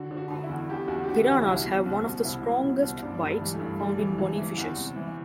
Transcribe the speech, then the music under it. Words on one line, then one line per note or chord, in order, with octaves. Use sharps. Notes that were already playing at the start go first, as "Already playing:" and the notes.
Piranhas have one of the strongest bites found in bony fishes.
Already playing: D3 F#4
D3
F#4
D3
E4
E2
E2 G4
E2 F#4
G4
D3 F#4
E4
E2 F#4
E4
C2 F#4
B2
C2
B2
C2 E4
B2
B2
C2
G2 D4
G2
G3
E3
A3
G2
E3 G3
E3
E3
E3
E2
C3
E3